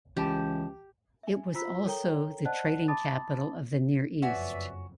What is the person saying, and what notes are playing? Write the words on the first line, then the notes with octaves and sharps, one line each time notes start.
It was also the trading capital of the Near East.
C#2 E3 G4 A5
E5 G#5
F4 C5 A#5 B5 E6 B6
A4 A#4 C#5 G5 A#5 G7
C5 D5 D#5 F#5 A5 F#6
A5 B5 D6 D#6 A6
F#1 F2 F#4 B4 C#5 D5 E5 G#5